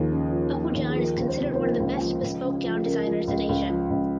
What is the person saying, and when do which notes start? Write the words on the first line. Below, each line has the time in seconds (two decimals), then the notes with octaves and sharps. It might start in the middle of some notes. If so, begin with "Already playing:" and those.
Apu Jan is considered one of the best bespoke gown designers in Asia.
Already playing: D#2 F3 G#4
0.12 C#3
0.32 F3
0.54 F3
0.75 D#2
0.90 G#4
0.96 F3 A#4
1.17 C#2
1.28 C5
1.38 C3
1.55 C5
1.59 F3 A#4
1.80 C#2
2.01 F3
2.23 C#2
2.43 C#3
2.64 F3
2.85 C#3 A#4
3.07 F3
3.28 C#2
3.49 C#2
3.70 F3
3.90 C#2